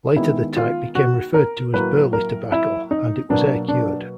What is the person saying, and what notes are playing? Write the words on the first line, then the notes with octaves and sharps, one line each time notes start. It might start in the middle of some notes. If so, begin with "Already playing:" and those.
Later the type became referred to as burley tobacco, and it was air-cured.
D#3 G#3 B3 E4
F4
F#4
A#4
A2 F#3 A#3 B4
A#4
E4
D#4
B2 F#3 A#3 D4
D4